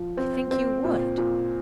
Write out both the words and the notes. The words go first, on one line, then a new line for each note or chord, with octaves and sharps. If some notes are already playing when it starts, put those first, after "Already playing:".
"I think you would."
Already playing: F3
C4
C4
A#2
A#2